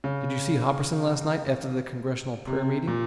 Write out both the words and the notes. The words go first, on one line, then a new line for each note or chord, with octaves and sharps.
"Did you see Hopperson last night after the congressional prayer meeting?"
C#3
C3
A#2